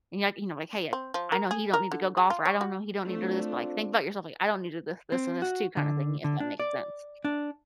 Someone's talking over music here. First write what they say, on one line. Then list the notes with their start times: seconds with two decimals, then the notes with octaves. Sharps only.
and, you know, like, "Hey, I know he don't need to go golf," or, I don't know, "He don't need to do this." But, like, think about yourself, like, "I don't need to do this, this and this too," kinda thing, if that makes sense
0.93 C4
1.14 F3
1.32 A#4
1.51 G#4
1.73 A#4
1.92 D3
2.17 G#4
2.30 F4
2.45 C#5
2.61 F#4
3.04 A3 C4 D4 F4
5.12 C4
5.42 F#4
5.77 D3
6.24 D3
6.40 D4
6.60 D5
7.25 D4